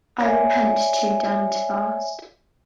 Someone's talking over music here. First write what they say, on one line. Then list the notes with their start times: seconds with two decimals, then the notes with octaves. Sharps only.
I repent too damned fast.
0.19 C#5 D5 E5 G#5